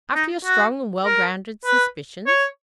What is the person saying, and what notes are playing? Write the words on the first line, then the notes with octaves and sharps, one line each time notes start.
"After your strong and well-grounded suspicions?"
D#4
F#4
A#4
B4
C#5